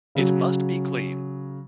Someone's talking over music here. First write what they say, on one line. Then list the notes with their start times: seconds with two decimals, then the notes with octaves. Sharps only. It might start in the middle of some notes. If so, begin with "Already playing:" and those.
It must be clean!
0.15 C#3 F#3